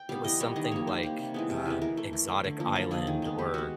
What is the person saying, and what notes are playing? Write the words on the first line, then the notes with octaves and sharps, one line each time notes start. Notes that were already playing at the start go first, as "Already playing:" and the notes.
it was something like, um, Exotic Island or,
Already playing: G5
G3 B3 F5
E3 D#5
G3 B3 C#5
D#3 D#5
G3 A#3 C#5
D#3 C5
G3 A#3
C3
E3 G#3 B3
C3
E3 G#3 B3
E3 A#4
A3
E3
A3
D3
F3 A#3
D3 A4
F3 A#3 G#4
D#3
G#3 B3
D#3 G4
G#3 B3 F#4